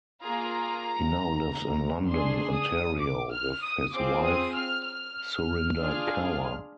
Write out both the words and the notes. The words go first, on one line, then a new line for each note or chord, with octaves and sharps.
He now lives in London, Ontario with his wife Surinder Kaur.
A#3 F4 G#4 A#5
D4 G#4 C6
D#6
D6
F6
D#6
C4 F4 G#4 D6
D#6
F6
F6
D4 F4 G#4